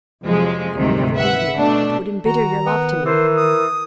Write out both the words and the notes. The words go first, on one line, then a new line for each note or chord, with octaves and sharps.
It would never leave me; it would embitter your love to me.
F2 C3 F3 F#3 G#3
D2 G#2 C3 D#3 F#3
B4 E5 F#5
B2 A3 D4
D#3 F#4 A#5
B3
E3 A#4 C5
D#6